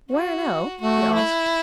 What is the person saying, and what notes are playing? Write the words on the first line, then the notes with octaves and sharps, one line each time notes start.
"Where now?" he asked.
F#4
A3 F#4
E4